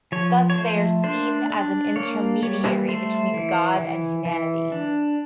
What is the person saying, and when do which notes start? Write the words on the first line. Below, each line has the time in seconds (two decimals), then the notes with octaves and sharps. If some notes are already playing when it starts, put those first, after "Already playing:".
Thus they are seen as an intermediary between God and humanity.
0.12 F3 C#5
0.50 C#5
0.58 A3 C5
1.04 D4 C5
1.50 D4
1.96 A#3 C#5
2.42 G3 C#5
2.88 A3 C5
3.34 E3
3.80 E3
4.25 E3
4.72 D4